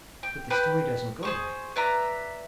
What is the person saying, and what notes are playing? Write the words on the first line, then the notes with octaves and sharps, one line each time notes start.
But the story doesn't go right.
G5
B4 G5 B5 F#6
G#4 C5 C#6
B4 D5 E5 A#5